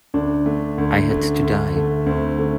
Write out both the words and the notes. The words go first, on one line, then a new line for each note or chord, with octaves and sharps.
I had to die.
D2 D4
D3 A3
D2
D3 A3
D2
D3 A3
D2 C4
D3 A3